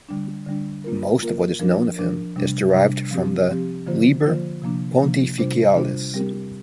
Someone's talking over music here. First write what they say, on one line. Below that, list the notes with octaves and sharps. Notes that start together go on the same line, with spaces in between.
Most of what is known of him is derived from the "Liber Pontificalis".
D3 G3 D4
D3 G3 D4
A#3 F4 A#4
A#3 F4 A#4
F3 D4 A#4
F3 D4 A#4
C3 G3 D4
C3 G3 D4
F3 C4 G4
F3 C4 G4
D3 F3 A#3 F4 C5
D3 F3 A#3 F4 C5
C3 F3 A#3 D4
C3 F3 A#3 D4
C3 G3 D4 F4 C5
C3 G3 D4 F4 C5
G3 C4 G4 A#4